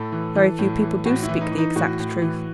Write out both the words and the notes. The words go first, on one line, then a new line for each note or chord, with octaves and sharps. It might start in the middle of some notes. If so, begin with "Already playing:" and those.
'Very few people do speak the exact truth.
Already playing: A2 A4
E3
E3
A2
E3
A2 F#4
E4
E3
D#4
E3
D#4
A2 F#4
A2
E3